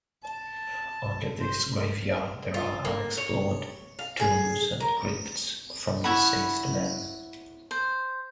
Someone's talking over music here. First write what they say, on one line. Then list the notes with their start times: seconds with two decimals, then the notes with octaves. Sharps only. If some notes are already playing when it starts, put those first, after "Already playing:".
Under this graveyard there are unexplored tombs and crypts from deceased men.
0.24 A5
1.41 C5
2.54 F4
2.85 A#3
3.17 C#5
3.99 F5
4.20 G#4
4.80 A#4
6.04 E4 C#5 F#5 B5
7.71 C5